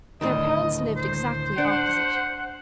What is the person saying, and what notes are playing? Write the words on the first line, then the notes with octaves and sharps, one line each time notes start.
Their parents lived exactly opposite.
D2 A2 D#3 D#5
C5
D4 F#5